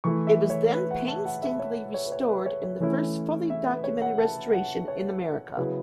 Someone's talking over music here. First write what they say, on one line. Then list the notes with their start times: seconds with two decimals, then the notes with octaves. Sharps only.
It was then painstakingly restored in the first fully documented restoration in America.
0.04 E3 A3 E4 C#6
0.27 E5
0.50 C#5
0.73 B4
0.91 F#5
1.08 A5
1.25 F#5
1.42 E5
1.59 C#5
1.94 C#5
2.06 B4
2.12 C#5
2.29 B4
2.46 C#5
2.63 C#5
2.80 E3 A3 C#4 E4
3.50 E5
3.67 B4
3.84 C#5
4.02 F#5
4.18 A5
4.53 F#5
4.88 C#5
5.57 C#3 F#3 B3 E4 B4